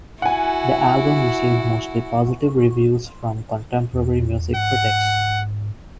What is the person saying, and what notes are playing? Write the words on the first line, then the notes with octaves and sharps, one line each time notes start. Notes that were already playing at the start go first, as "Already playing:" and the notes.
The album received mostly positive reviews from contemporary music critics.
E4 F#4 F#5 G#5
E2
G#2 F#5